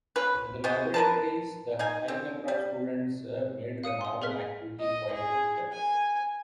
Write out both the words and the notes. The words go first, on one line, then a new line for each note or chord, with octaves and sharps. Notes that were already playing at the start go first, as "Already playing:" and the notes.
In the laboratories the high number of students made the normal activity quite difficult.
C#4 F4 B4
B3 F#4 G#4 C5
A#4 B4 A5
D#4 F5 G#5
C4
G3
F5 D#6 C#7 D#7
C6 D#6
G#4 A#4 B4 F6 B6
D#5
G#4
G#5